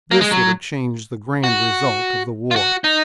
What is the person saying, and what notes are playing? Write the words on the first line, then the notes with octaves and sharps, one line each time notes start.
This would have changed the grand result of the war.
A#3
G#3
F#3
F#4
F4
F#4
D#4